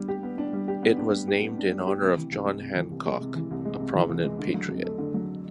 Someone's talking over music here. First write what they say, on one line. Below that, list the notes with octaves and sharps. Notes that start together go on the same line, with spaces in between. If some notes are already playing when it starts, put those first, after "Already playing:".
It was named in honor of John Hancock, a prominent Patriot.
Already playing: G3 B3 D4
G4
B3
D4
G3
G4
B3
D4
G3
G4
B3
D4
G3
G4
C3
E3
C2
G#3
C3
E3
C2
G#3
C3
E3
C2
G#3
C3
E3
C2
G#3
D3
F#3
F2
A3
D3
F#3